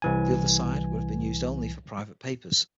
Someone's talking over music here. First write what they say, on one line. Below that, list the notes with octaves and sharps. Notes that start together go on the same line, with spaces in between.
The other side would have been used only for private papers.
C2 E3 G#5